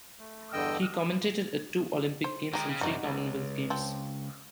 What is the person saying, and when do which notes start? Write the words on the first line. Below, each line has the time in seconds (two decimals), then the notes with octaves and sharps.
He commentated at two Olympic Games and three Commonwealth Games.
0.19 A3
0.53 E2 G2 D3 D#5 G5 E6
2.24 C5
2.53 D#3 G#3 D#4 G4
2.69 C#3
2.81 F#2 C3 G3 D#4 F#4
3.03 C#2
3.70 F3 C4